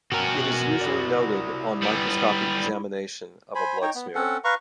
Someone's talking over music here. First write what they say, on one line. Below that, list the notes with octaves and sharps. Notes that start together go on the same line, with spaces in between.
It is usually noted on microscopic examination of a blood smear.
B2 F#4 A#4 G5 G#5
E4 G4 D5
G3 B3
C5 G#5 B5
D#4 C#5 G5
B3
C4 C#4 A4 F#5
B4 F5 A#5 C#6